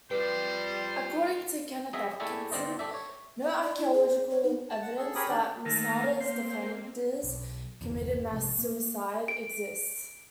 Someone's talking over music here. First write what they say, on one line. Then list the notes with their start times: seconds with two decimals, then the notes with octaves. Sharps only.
According to Kenneth Atkinson, no "archaeological evidence that Masada's defenders committed mass suicide" exists.
0.11 G3 F4 B4 C5 G5
1.93 F#3 G#4 D#5 E5
2.20 A3 E4 G4 G#4 D5 E5
2.52 G1 G2 C4 C5 D5 D#5
2.79 G4 A4 D5 E5
2.94 C#5
3.43 E5
3.62 D5
3.78 E4
3.93 G#4
4.09 C5
4.30 C#5
4.43 D#4
4.69 A5
4.81 F#5 A5
4.97 G#4 A4
5.15 G4 G#4 A#4 C#5 B5 D#6
5.29 D#3 C#4 D4 D5
5.65 D#3 A3 A#3 A#4 F5
6.20 A#3 C4 C5
7.24 B1
7.81 G1 E2
8.32 A#1 C3 G#3
8.58 A#3
9.28 D7